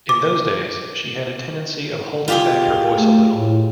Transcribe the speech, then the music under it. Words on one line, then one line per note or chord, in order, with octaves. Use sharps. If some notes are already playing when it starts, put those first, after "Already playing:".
In those days, she had a tendency of holding back her voice a little.
D6
F4 G4 G#4
A3
A2